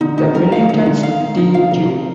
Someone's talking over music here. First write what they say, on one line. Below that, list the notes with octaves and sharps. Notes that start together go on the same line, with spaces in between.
The Wellington Steel Tube.
D3 D#4
D3 D#4
G3 A#4
D#3 F5
D3 D#4
D3 D#4
D#3 F5
D3 D#4
D3 D#4
F5
C3 A#4
D#4